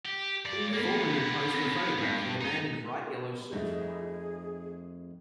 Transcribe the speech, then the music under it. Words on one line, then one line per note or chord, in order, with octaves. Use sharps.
Four women pose for a photograph with a man in a bright yellow suit.
G4
G2 D5
A#3 B3
G2
D#4
F2 A3 D#4 G#4